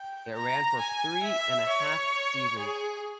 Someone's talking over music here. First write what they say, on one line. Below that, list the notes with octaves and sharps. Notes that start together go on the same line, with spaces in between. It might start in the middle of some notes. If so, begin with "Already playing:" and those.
It ran for three and a half seasons.
Already playing: G5
A#5
G#5
E5
C#5
G#4